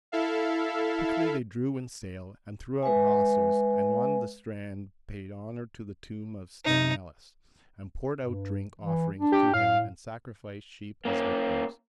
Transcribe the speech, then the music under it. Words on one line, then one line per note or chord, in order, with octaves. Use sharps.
Quickly they drew in sail and threw out hawsers, and on the strand paid honour to the tomb of Sthenelus, and poured out drink offerings to him and sacrificed sheep as victims.
E4 A4 E5 F5
G#3 B4 E5 G#5
C3 D#4
G2
E3
D4
G4
A2 F5
A#3 C#4